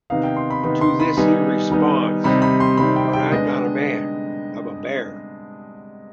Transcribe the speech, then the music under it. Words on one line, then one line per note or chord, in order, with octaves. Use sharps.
To this he responds, "But I'm not a man, I'm a bear".
C3 D#3 B3 D#4 F5
G5
C6
B5
C3 D#3 B3 D#4 B5
C6
B5
D#3 G3 B3 D#4 G#5
D#3 G3 B3 D#4
C3 D#3 G3 C4 D#4 B5
B5
C6
C3 D#3 G3 C4 D#4 B5
G5
G5
D3 G#3 B3 D4 D#5